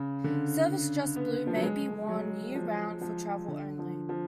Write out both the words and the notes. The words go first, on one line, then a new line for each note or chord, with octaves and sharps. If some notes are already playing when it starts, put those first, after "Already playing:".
Service Dress Blue may be worn year round for travel only.
Already playing: C#3
D3
B3
F3
F#3
G#3
F#3
F3
F3
D3
F3
F3